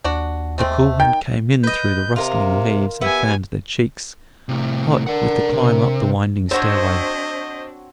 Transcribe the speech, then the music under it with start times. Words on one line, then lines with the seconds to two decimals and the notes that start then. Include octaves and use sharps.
The cool wind came in through the rustling leaves and fanned their cheeks, hot with the climb up the winding stair-way.
0.04 D#2 D4 F#4
0.58 G#3 A3 C4
1.00 D#3 G5
1.63 B4 D#5 G6
2.16 C3 F4 A#4
3.01 B3 G4 E5 G#5
4.49 A2 C3
5.07 D4 A#4 D5 F#5
5.52 C3
6.51 C4 D4 F#4 C5 C#5 D#5